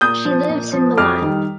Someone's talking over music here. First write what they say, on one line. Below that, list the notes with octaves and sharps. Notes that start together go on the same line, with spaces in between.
She lives in Milan.
A#2 D#6 G6
F3
A#2
F3
F2 D6 F6
D#3 G3